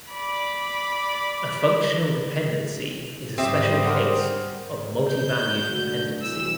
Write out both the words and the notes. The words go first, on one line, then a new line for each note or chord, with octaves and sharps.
A functional dependency is a special case of multivalued dependency.
D5 B5
G#2 G3 C4 G4 E5 D#6
A#4 C5 F#5
G6
D3 A3 F#4
E3 G3 C4 E6